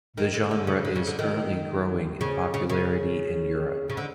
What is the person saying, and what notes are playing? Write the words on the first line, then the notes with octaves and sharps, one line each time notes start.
The genre is currently growing in popularity in Europe.
D#3
D3
D3
C#3
D3
C#3
D3
D#3
C#3
C#3
C#3
C#3
D3